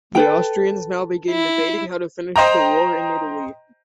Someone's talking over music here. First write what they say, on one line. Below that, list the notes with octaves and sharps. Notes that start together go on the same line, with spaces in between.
The Austrians now began debating how to finish the war in Italy.
A4 B4 G5
E4
C5 D#5 G5 A#5